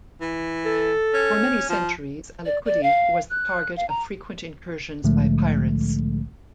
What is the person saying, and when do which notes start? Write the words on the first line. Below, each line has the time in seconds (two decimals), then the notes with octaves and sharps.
For many centuries, Alicudi was the target of frequent incursions by pirates.
0.21 E3
0.65 A4
1.14 C#4
1.69 F3
2.45 D5
2.65 D5
2.83 F5
3.30 F#6
3.77 F5
3.89 A#5
5.04 C2 A2 D3 F3 G#3 A3